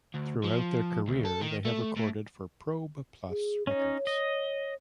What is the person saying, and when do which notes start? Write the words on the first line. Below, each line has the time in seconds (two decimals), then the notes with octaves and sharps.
Throughout their career, they have recorded for Probe Plus records.
0.15 D2
0.44 F3
1.08 D2
1.25 A4
1.42 D#3
1.65 A3
1.96 A2
3.30 G#4
3.67 C#4 D#4 C#5
4.07 D#5